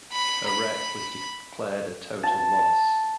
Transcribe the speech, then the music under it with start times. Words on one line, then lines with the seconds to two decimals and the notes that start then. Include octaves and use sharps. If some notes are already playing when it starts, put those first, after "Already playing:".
Her wreck was declared a total loss.
0.12 B5
0.46 B5
2.23 A5